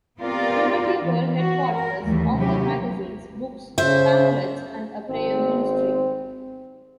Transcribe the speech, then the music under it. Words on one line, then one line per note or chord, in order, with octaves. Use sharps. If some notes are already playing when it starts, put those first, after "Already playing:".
Unity World Headquarters offer magazines, books, pamphlets and a prayer ministry.
B3 C4 F4 G4 A#4 D5
E3
F#4
A#4
D#2 E3 G3 A3
C3 F#3 C#4 G4
C#3 C5 E5
G#1 C4